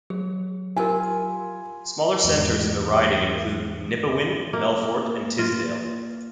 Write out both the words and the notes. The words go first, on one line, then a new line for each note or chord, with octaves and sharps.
Smaller centres in the riding include Nipawin, Melfort, and Tisdale.
F#3 G#4
E4 F4 G4 A#4 G#5
E2 G#2
A#3
F4